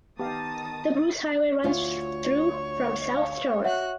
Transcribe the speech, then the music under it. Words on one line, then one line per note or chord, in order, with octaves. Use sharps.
The Bruce Highway runs through from south to north.
D#3 B3 G4 F5 A5 D#6 A6
D2 F4 C#5
F5
F#4 C#5 E5 F#5 F#6